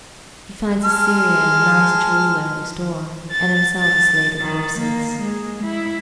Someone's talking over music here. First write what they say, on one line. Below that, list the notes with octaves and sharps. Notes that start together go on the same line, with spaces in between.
He finds Assyria and the Mounds of Cholula at his door, and himself has laid the courses.
G#3 A5 F6
A6
A6
D#3
A#3
G#3
E4